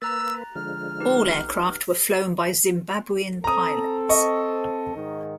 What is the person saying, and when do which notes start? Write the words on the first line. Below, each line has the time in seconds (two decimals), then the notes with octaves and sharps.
All aircraft were flown by Zimbabwean pilots.
0.02 A#3 B4 A#5 E6 F#6 A6
0.56 D3 F3 G#3 F6
1.00 D#4 G4 B4
3.44 C4 A4 A#5 D#6
4.09 D#5 C#6
4.96 G#2 D#3